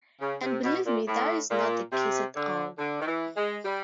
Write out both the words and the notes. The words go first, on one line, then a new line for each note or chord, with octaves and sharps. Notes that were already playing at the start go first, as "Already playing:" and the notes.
And believe me that is not the case at all.
C#3
C3
B2
A#2
A2
A#2
C3
D3
D3
D#3
E3
G#3
G3